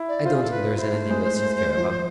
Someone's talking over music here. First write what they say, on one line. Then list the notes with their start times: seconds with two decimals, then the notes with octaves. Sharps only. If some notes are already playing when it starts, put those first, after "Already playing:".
I don't think there is anything else you'd care about.
Already playing: E4
0.08 D5
0.25 F4 C5
0.35 G#4
0.42 A4
0.51 B4
0.77 E4 C5
0.93 A3
1.10 G#3
1.77 F3